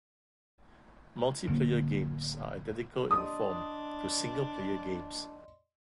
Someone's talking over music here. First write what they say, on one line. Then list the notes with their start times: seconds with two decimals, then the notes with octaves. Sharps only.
Multiplayer games are identical in form to single player games.
1.47 D1 D3 A#3
3.11 D4 D5 D#5 C6 D#6